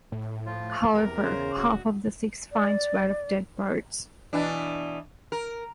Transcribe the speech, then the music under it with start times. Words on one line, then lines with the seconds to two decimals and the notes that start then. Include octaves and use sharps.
However, half of the six finds were of dead birds.
0.12 A2
0.46 F3 F4
0.94 E2 C3 A#4
1.24 C#3 C5
1.56 D1 F#4
2.52 D5
4.33 B2 E3 D4
5.32 A#4